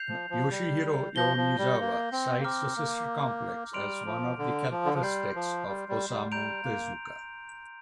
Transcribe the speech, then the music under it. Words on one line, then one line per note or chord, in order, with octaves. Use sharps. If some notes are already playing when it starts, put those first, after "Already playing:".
Yoshihiro Yonezawa cites the sister complex as one of the characteristics of Osamu Tezuka.
Already playing: G6 C7 F7
F3
F3
G3
F3 G6 A#6 G7
F3
G3
A#3
C4
A#3
C4 A#5 D6 F6
A#3
G3 C6 F6 D7 F7
F3
D3
F3
D3
F3
G3 C6 G6 C7
F3
G3
G3
G3
G3 A#5 G6 D7 F7
A#3